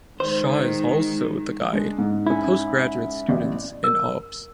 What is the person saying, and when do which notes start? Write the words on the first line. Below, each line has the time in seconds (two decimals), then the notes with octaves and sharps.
Shah is also the guide for postgraduate students in Obs.
0.20 D#3 G#3 C5
1.73 G#3 D4
1.98 G#2
2.27 C#4 E4
3.28 A1 D5
3.84 A#4